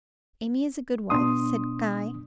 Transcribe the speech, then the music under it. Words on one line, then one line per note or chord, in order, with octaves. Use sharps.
'Amy is a good wife,' said Guy.
B2 D4 C6 D#6